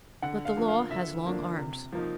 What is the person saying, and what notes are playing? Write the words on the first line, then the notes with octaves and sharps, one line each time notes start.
But the law has long arms.
D3 F#5
F5
F3 A#3 D4
F5
D3 E5
F3 A#3 D4
C3
F3 A#3 D#4